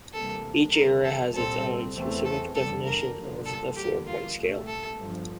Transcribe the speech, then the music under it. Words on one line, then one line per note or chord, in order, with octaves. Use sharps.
Each area has its own specified definition of the four-point scale.
D2 C3 E3 G3 A#3 A4
E2 D3 G3 A#4
A4
C2 A#2 G3 C4 A4
E2 E3 A3 C4
A4
F1 E2 D3 G3 A4
A#4
G2 D3 F3 A#3
A4
E2 D3 G3 A#3 G4
F4
C2 A#2 A3
A4
G1 G2 F3